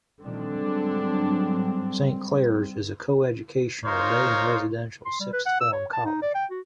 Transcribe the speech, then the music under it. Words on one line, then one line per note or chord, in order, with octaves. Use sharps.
Saint Clare's is a co-educational day and residential sixth form college.
A#2 D3 D#3 F3 G3 C4 D4
G#2 F#3 G#3
D#4 F4 A#4 C5 C#5
C6
G3
B4
F#5
E6
C#5
A5
D#4
D5
G5
F#4